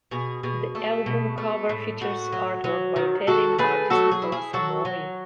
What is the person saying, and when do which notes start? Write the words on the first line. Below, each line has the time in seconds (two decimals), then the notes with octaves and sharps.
The album cover features artwork by Italian artist Nicola Samori.
0.11 B2 G#4
0.43 B2 G#4
0.75 A3
1.06 B2
1.38 A3
1.69 A2
2.01 A2 F#4
2.32 F#3
2.64 F#3
2.96 D#3
3.27 D#3 F#4 A4
3.58 A3 G#4 B4
3.90 F#3 F#4 A4
4.11 G#4
4.22 E4
4.32 G#4
4.53 F#3 F#4 A4
4.85 F#3